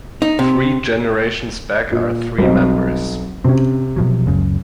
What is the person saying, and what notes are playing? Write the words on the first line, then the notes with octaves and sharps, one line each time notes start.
Three generations back are three members.
D#4
C3
A#2
B1 G3 C4 D#5
C3 C4 C#4
B2 F3 F#3
C#2 F#2 C#3